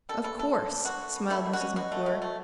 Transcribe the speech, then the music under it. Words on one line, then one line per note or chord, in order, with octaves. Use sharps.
"Of course," smiled Mrs. McClure.
G3 A4
E3 A4
A3 A4
E3
D4
E3 F#4
A3
E3
A3 E4
B2
F#4
C#4
B2 F#4
A3
B2
A3